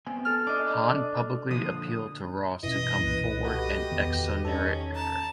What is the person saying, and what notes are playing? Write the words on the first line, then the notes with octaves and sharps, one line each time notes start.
Han publicly appealed to Ross to come forward and exonerate her.
B3 C4 G#5
A4 F6
D4 D#5 D6
A#2 D3 F3 D#6
F#2 B2 E3 C#4 D#5
C2 A#2 A#3 B4
A3 F#4 G4 B4 D#5
E2 D#3 B3
C#4 D#4 A4
A5 A#5